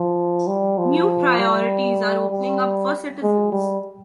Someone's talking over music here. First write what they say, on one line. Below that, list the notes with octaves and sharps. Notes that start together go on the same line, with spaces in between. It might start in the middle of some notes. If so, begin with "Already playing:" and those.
New priorities are opening up for citizens.
Already playing: F3
G3
F3
G3
G3
G#3
G3